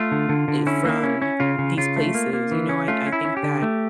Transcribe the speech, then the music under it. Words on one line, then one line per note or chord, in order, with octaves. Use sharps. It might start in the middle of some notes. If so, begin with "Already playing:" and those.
eh, from these places, you know, I I think that
Already playing: A3 F4
D3
D3
D3
C#4 E4
A#3
C#4
C#4
C#3 F4
C#3
C#3 F4
A3
A#3
A#3
E3
C#4
A3 F4
C#4
E4
C#4
G4
D3
A3